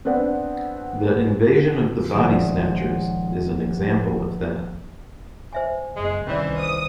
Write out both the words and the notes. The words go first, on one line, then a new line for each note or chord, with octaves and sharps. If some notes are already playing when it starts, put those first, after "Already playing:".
"The Invasion of the Body Snatchers" is an example of that.
B3 C4 D4 B4 F#5
D#1 F3 G#3 C#7 D7
C5 E5 G#5
F#1 G#3
C2 D#3 E3 C#4 C5 D5
C5 D#6